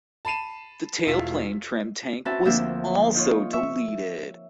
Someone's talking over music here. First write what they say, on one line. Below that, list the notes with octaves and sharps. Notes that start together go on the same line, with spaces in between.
The tailplane trim tank was also deleted.
A5 B5 C7 D#7 E7
E1 E4 F4 E6 B6
C4 C#4 F#4 B4 E5 A5
D2 F3 A#3 C4 D4 E5
D#4 F4 C#5
E5 C#6